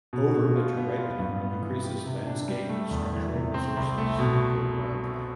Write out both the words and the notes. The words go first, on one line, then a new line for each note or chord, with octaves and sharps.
Overwinter ripening increases landscape structural resources for wildlife.
B2
B2
F4
B3
F4
G2
B3
E3
G4
C3
D4
G3
A3
E2
E3
C3
C4
C2
A3
B2